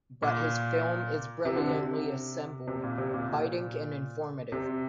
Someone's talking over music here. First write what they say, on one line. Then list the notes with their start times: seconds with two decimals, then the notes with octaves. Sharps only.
But his film is brilliantly assembled, biting and informative.
0.22 A#2
1.45 C3
1.56 D3
1.67 C3
2.68 C3
2.83 A#2
2.98 C3
3.14 A#2
3.29 A#2
4.52 C3